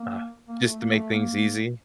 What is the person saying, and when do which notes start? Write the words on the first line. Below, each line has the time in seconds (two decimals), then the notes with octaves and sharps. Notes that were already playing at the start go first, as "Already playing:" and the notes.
Uh-huh, just to make things easy.
Already playing: A#3
0.48 A#3
0.63 A3
0.80 A#3
0.96 A3
1.12 A#3